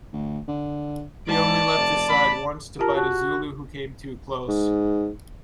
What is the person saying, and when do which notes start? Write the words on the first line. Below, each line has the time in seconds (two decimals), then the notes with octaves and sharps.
He only left his side once to bite a Zulu who came too close.
0.13 D2
0.48 D3
1.29 G#2 D5 A5
1.77 F1
2.09 A1 B5
2.79 F4 G4 A#4 A5
2.95 F#4 G4 A5
4.48 G#2